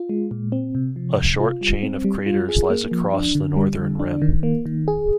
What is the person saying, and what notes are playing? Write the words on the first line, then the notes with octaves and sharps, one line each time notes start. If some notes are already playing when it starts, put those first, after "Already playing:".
A short chain of craters lies across the northern rim.
Already playing: F4
G#3
A#2
C4
C3
F3
C3
F4
G3
C4
G3
F4
G#4
A#3
F3
D4
D3
G3
D3
D4
D#3
A#3
D#3
G#4